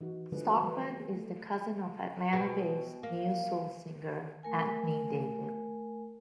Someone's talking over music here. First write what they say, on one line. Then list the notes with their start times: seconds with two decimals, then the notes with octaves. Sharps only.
Stockman is the cousin of Atlanta-based neo-soul singer Anthony David.
0.01 E3 D#4 F#4
0.32 D3 F3 G#3 G#4 B4
0.47 G#3 F#4 C#5
0.62 E3 G3 A3 B4
0.98 A#3 G#4
1.15 A3
2.33 B2 G#3 C4
3.03 A#3
4.43 A3 A#4 G#5